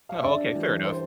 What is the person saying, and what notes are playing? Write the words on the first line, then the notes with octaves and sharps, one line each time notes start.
Oh, okay. Fair enough.
F5
E5
G2 D5
E3 G3
C5